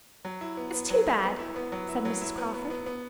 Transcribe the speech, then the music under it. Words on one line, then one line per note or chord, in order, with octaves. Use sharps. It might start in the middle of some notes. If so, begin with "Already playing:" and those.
"It's too bad," said Mrs. Crawford.
F#3
E4
B3
B3
F#3
F#3
B3
E4
B3
F#3
E4
F#3
E4
B3
B3
B3
B3